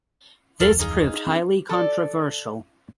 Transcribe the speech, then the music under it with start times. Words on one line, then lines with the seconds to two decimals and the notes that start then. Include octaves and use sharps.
This proved highly controversial.
0.60 D1 F2 A4 A#4 F5
0.79 D#4 F4 G#4
1.27 C4 D4
1.69 A4 D5